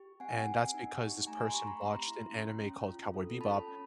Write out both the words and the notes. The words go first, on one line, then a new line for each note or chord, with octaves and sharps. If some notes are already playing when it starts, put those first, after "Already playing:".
and that's because this person watched an anime called Cowboy Bebop,
Already playing: G4
C4 F#5 G#5
C4
D#4
G4
A3 G#5 A#5
A#5 C6
G4 B5 C#6
A#5 C6
C4 A#5 C6
E4
C#4
C#4
F4
A4
C#4 A5 B5
C#4